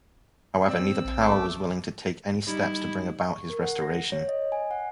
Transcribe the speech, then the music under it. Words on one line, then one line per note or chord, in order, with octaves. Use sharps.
However, neither power was willing to take any steps to bring about his restoration.
C4 D5 E6
A#1
A3 D6 E6
G3 D#4 E4
C#6
A#4
F#5
A#6
C#5
D#5
G#5
F#5